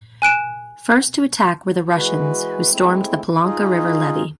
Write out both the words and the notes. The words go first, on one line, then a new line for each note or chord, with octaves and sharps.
First to attack were the Russians, who stormed the Polonka river levee.
G#5 F#6 D7 E7
E3 G#3 F#4 B4
G#3 A3 C4 E4
D#4 F4 G#4 D#5